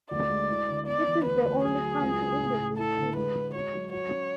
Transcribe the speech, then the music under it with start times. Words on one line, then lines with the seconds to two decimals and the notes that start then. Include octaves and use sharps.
It is the only county in the district.
0.10 D2 D5
0.29 G#3
0.49 E4
0.68 D3
0.87 B3 D5
1.06 E3
1.25 D2 B4
1.44 D2
1.63 F#3 G#4
1.83 F#3
2.01 C#2
2.21 C#3
2.39 A2
2.59 A2
2.77 E4 A4
2.97 D3
3.16 G#3 B4
3.36 G#3
3.55 F#4 C#5
3.73 F#3
3.92 F#4 C#5
4.12 C#4